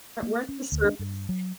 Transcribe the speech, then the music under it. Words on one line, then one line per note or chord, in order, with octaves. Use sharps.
weren't the surfers
A#3
C#4
D2
D4
G2
F#3